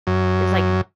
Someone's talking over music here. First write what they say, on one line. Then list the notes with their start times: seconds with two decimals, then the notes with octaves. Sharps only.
it's like
0.07 F#2